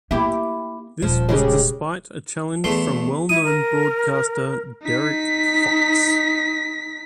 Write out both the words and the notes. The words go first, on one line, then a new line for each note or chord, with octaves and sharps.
This was despite a challenge from well-known broadcaster Derek Fox.
A#3 E4 G4
D#1 F3
C#3 G#3 G4
E2 A3 C6
E4 D#6
A#4
D#4 B6